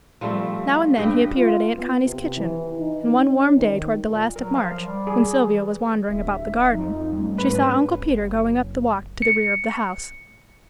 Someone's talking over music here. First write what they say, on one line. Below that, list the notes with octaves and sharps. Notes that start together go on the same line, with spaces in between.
Now and then he appeared at Aunt Connie's kitchen, and one warm day toward the last of March, when Sylvia was wandering about the garden, she saw Uncle Peter going up the walk to the rear of the house.
F3 G3 A3 C4
G2 B4 D#5 G5
F4
B3
C3
E3
D#4
C#4
D#3
A#2
F#3 A#4
F3 F5
G3
G#4
E3
D1 E5
F2 D#4
G3 A3 C#4
G#2 C#4 B4
F#1 C4
C#7